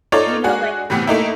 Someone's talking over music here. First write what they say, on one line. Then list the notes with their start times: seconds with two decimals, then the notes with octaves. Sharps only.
You know, like
0.12 D#4 F4 A4 C#5 D5
0.44 G#3 D4 F#4 G#4
0.90 A2 C3 E3 B3
1.07 A3 A#3 D#4 E4